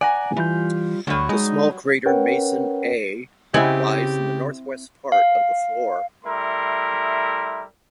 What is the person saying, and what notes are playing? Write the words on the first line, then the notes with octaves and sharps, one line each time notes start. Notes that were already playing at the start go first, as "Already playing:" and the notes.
The small crater Mason A lies in the northwest part of the floor.
D5 F#5 G#5 A#5
E3 G3 F4 G6
D2 F#3 G3
G#3 D#4
C#4 A#4 B4 C#5 F#5 G5
C#3 C4 E4 G4 D#5 F#5 G#5
F5
G3 A3 E4 A#4 E5 C6